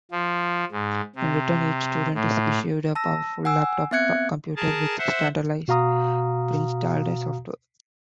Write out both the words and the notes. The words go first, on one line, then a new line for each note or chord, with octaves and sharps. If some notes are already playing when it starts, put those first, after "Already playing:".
In return each student is issued a powerful laptop computer with standardized, preinstalled software.
F3
G#2
C3
A2
A5 E6 A#6
F#5 G#5 E6
B3 C4 E5 F#6 G#6 C#7
G#4 A#4 A5
C5 E5 F#5
B2 F#4 F5 A#5 D#6